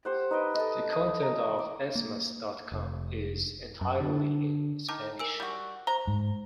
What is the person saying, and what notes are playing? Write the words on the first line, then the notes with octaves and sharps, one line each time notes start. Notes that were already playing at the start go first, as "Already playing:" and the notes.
The content of esmas dot com is entirely in Spanish.
G4 C5 F#5
D#4 B4 D#5 G5
A4 D#5
D#6
A#5
D6
A#3
F1
F#2
D3
D#3 A5 D6
A#4 G#5 E6
G3 F#4
C5 A#5
G#2